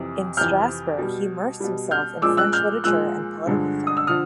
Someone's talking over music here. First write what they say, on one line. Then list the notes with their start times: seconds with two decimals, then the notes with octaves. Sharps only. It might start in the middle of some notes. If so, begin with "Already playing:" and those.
In Strasbourg, he immersed himself in French literature and political thought.
Already playing: F2 C3 E3
0.37 F2 C3 E3 F6 G6
0.98 B2 G3
1.60 B2 G3
1.91 F6 G6
2.22 A#2 F3 G#3 D6 E6
2.37 E6 F#6
2.53 F6 G6
2.84 A#2 F3 G#3 E6 F#6
3.46 G2 D3 F3 G#3
3.87 D#6
3.97 E6
4.07 D3 F3 D#6 F6